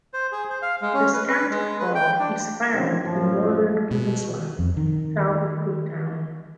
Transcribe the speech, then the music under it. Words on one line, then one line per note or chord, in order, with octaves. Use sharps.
The Scanty Frog is found in northern Queensland, south of Cooktown.
C5
G#4
C5
F5
G#3
C#4
B4
B4
G#3
B4
G5
D4
B2 D3 D#3 C4 C#4
F#2 A2 F3
B2
F2
D#3